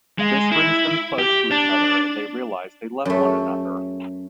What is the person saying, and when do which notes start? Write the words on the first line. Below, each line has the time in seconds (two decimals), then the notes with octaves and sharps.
This brings them close to each other and they realize they love one another.
0.19 G#3
0.51 E4
1.19 G4
1.51 D4
3.05 F#2 A3